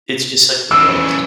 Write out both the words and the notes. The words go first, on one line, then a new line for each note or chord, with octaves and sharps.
it's just such a blast.
C#3 E3 E6